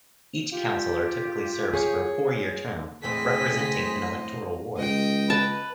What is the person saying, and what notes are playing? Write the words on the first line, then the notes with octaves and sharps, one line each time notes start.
Each councillor typically serves for a four-year term, representing an electoral ward.
F4 G4
G#4 C#5
E2 A2 C4 G#4 C5 D#5 B6
C#2 D#5 G5
B4 A5